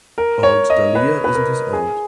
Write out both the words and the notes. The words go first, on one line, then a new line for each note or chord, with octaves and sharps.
Aunt Dahlia isn't his aunt.
A#4
C#5
D#5
B4
B4
A#4
G#4